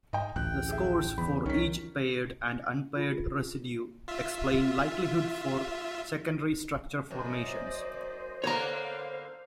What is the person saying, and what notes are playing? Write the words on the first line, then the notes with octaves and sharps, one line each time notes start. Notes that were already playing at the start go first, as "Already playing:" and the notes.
The scores for each paired and unpaired residue explain likelihood for secondary structure formations.
G#2 D#5 G5
A1 D2 G5 F#6
G#4 E5
E2 B5
C2 D#3 C#4 B6
F4
F4 E5
F#2 C5 D5 D#5
D3 A#3 B3 C#5 F5 A#5